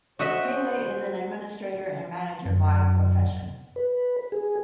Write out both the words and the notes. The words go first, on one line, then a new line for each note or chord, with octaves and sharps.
Pele is an administrator and manager by profession.
F#4 C5 D#5 E5
F#2
B4
G#4